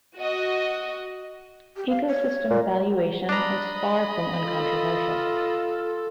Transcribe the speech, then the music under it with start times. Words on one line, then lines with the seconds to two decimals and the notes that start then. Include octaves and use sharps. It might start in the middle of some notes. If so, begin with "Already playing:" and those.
Ecosystem valuation is far from uncontroversial.
0.18 F#4 D#5
1.76 G4
1.89 F5
2.08 C#5
2.50 A#2
3.29 D4 D#5 A#5 B5
4.45 F4 A4